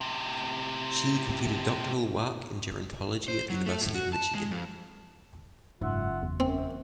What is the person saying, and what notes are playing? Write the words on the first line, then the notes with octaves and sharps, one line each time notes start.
She completed doctoral work in gerontology at the University of Michigan.
A2 C3
C5
F#3
A3
A2
F#4
A5
G#3
F2
F#1 G#2 F4 E5 F#5
E2
F#2 C4